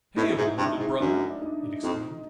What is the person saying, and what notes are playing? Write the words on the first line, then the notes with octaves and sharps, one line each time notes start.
"Hail, learned brother!" it exclaimed.
A2 D#4
E4
D#4
G#2
E4
G2
D#4
G#2
F#2 D4
D#4
F2 D#4